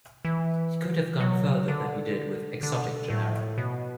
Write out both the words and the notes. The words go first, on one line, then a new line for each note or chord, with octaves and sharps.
He could have gone further than he did with "exotic" genera.
E3
F#3
D3
D3
A2
B2